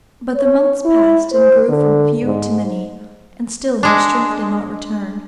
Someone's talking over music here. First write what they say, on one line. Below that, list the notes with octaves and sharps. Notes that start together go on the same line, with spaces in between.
But the months passed, and grew from few to many, and still her strength did not return.
C#5
E4
C5
D3
G#2
G#3 D4